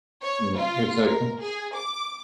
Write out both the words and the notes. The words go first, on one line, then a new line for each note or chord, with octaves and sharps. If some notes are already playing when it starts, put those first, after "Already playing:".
you know, it's like, "Huh."
C#5
F4
A#4
G#4
D6